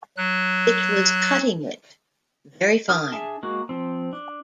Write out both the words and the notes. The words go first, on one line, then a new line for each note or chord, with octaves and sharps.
It was cutting it very fine.
F#3 F#6
D4 A#4 D#6 F6
D4 G#4 E5 G#5 A5
G#3 A#3 F#4
F3 C4
D4